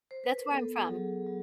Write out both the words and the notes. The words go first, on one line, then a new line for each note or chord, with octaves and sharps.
That's where I'm from.
C5
B4
A#4
B3 A4
F#3 G#4
F#3